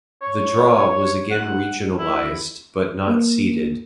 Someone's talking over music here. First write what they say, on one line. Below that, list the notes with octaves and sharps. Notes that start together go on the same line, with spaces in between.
The draw was again regionalised but not seeded.
C#5
F#5
E4
A#3